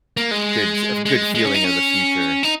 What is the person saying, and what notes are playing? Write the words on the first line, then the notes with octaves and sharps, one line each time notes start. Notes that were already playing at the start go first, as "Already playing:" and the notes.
good ch a good feeling of the future.
A#3
G#3
G#3
G#3
C#4
D#4
C#4
D#4